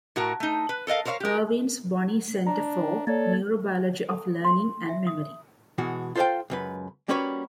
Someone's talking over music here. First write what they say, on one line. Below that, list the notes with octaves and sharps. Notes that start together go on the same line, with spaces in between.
Irvine's Bonney Center for Neurobiology of Learning and Memory.
A2 F#4 A#4 A#5
A3 D#4
B4
A4 A#4 D#5 F5
A#4 C5 C#5 E5 F5
G4 A#4
D4 A#5
A#3 A4 C#5 D5
A4
C6
E5
D#6
B2 E3 G#3 F#4
F4 A4 C5 D#5 F5 G5
C#2 F#2 B4
G3 A#3 C#4 F#4 B4 C#5